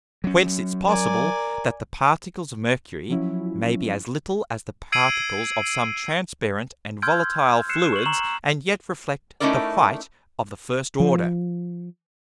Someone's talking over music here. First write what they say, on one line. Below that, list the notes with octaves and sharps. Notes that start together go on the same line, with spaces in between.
Whence it's possible, that the Particles of Mercury may be as little as the Particles of some transparent and volatile Fluids, and yet reflect the white of the first order.
F#3 C#4
A#4 D5 G#5
F3 F#3 C#4 E4
E6 G#6 C7 D7 D#7 F#7
C6 E6 F6 G6 G#6 D7
E6 F#6 C7 C#7 E7
C#6 F#7
A#5 C#6 E6 E7 F#7
A3 C#4 D#4 E4 A#4 D5
F3